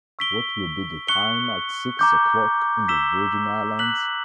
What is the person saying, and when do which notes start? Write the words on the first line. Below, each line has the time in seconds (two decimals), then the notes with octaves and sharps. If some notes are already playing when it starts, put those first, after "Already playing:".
What will be the time at six o’clock in the Virgin Islands?
0.19 C#6 E6 B6 D7 G7
1.08 C#6 F#6 C#7 G7
1.99 A#5 D6 G6
2.88 E6 B6 E7 G7
3.79 F#6 B6 F#7